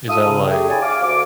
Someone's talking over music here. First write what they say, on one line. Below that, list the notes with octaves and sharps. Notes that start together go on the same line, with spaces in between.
Is that, like,
F4 A4 E5 D#6
C#3
A3 G4 G#4
D4 E4 G4 C#5 D5 G#5
F5 D6
D2 D6